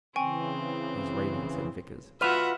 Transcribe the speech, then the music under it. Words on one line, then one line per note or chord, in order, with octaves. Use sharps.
"He's raving," said Vickers.
C#3 E3 C4 G5 G#5 C#6
F4 F#4 B4 E5 F#5 F6 D#7 F7